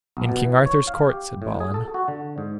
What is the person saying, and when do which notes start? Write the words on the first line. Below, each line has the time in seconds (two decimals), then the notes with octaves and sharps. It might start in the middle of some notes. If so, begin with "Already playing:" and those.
In King Arthur's court, said Balin.
0.17 B1
0.29 B2
0.45 E3
0.66 C#5
0.87 F5
1.09 G4
1.42 A2
1.60 G#4
1.74 A4
1.94 F#4
2.08 D3
2.38 G#2